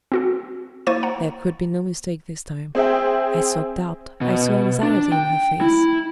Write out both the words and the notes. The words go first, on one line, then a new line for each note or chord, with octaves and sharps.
There could be no mistake this time; I saw doubt, I saw anxiety in her face.
C4 F#4 A4
A#3 E4 C5 C#6 A6 D#7
F#5 A#5
C4 G#4 E5 G5
B2
D4
G5
E4